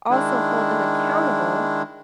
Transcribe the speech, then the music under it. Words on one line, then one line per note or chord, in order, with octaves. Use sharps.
also hold them accountable
D#3 G#3 D4 E4